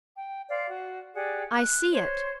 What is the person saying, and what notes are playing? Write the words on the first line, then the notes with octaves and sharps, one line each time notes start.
I see it!
G5
C5 D5 F5
F#4
G4 G#4 D5 F#5
F#6
C5 C#5